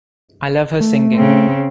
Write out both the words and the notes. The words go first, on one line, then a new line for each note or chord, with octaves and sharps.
I love her singing.
A3
C#3 C4